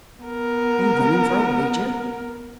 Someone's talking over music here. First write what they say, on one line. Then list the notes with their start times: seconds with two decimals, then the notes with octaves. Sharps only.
"Are you running for a wager?"
0.25 B3 A#4